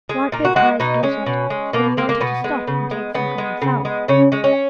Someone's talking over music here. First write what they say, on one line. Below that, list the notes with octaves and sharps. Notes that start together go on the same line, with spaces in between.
Whitebird's eyes glittered and he wanted to stop and take some for himself.
G#3
A#2 A#4
F#4
G#3 F#4
B2 D#4
G#3 C#4
B2
G#3
B2 A#3
G#3 A#3
A#3
B2 B3
G#3
C#3
G#3
C#3 B3
G#3
C#3
G#3
C#3 C#4
G#3 C#4
C#4